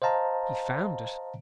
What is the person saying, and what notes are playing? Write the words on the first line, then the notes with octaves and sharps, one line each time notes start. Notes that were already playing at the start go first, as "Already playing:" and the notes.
He found it.
C5 D#5 F5 A5 A#5